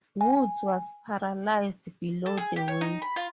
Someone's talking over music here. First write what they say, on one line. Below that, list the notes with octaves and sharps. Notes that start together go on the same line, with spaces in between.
Woods was paralysed below the waist.
G#5
A4
G#4
G4
C#5
D#4
B5
F4